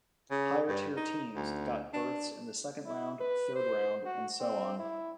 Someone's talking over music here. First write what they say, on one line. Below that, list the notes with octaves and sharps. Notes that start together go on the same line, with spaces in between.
Higher tier teams got berths in the second round, third round, and so on.
C#3
G2
D#4
D2
D4
E4
B4
C5
F#4
C4
E4